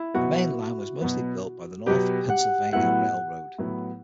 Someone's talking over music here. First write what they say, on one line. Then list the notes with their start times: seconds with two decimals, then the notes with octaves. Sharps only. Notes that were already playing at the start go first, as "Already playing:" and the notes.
The Main Line was mostly built by the North Pennsylvania Railroad.
Already playing: E4
0.14 B2 F#3 B3 F#4
1.01 B2 F#3 B3
1.86 B2 F#3 B3 G4
2.29 F#5
2.73 A2 F#3 B3 E4 F#5
3.58 A2 F#3 B3 E4